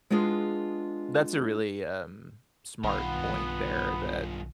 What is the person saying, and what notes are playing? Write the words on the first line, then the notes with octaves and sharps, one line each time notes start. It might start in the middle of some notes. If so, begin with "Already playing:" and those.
That's a really, um, smart point there that
G#3 B3 D4 F4 G#4
B1 G2 D#3 B3 F4